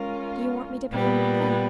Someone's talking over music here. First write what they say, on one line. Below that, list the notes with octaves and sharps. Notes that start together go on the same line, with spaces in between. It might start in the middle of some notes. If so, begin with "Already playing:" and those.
Do you want me to pay you in advance?
Already playing: G#3 C#4 F4 A#4
A#2 G3 B3